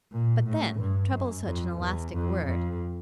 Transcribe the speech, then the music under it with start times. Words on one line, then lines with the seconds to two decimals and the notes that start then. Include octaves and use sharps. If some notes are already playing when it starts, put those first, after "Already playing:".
But, then, trouble is such an elastic word.
0.12 A#2
0.45 A2
0.79 G2
1.12 F#2
1.45 F2
1.79 E2
2.13 F2
2.46 F2